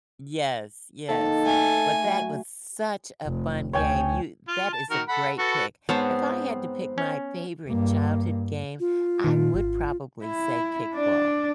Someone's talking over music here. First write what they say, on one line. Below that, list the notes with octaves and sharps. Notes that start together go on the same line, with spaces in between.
Yes, yes. But that was such a fun game. You that is a great pick. If I had to pick my favorite childhood game, I would probably say kickball.
D#3 A#3 A4
A3 G#5
F#3
F1
D2 C#5 G5 G#5
F4
A5
D#3 F#4 A#4
A4 F#5 B5
F#4 A4 B4
G#2 B3 C4 C5 C#5 A5
C#4
G2 A#3
F4
A#2 D#3
G#1
E4
D4 D5